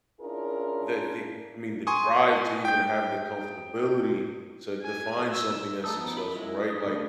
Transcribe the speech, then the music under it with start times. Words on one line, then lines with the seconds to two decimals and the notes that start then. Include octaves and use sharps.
the the, I mean, the drive to even have the comfortability to define something as successful, right, like,
0.21 C#4 D4 E4 F4 G#4 A#4
1.87 G#5 C6 C#6 D#6
2.65 G5 G6
4.82 G#5
5.31 E6
5.84 A3 D#4 A5 D#6 E6
5.97 F3 B3 D#4
6.17 F4 B5
6.36 G#3 E4
6.70 D#6
6.87 D3 A3 D4 B4 D#5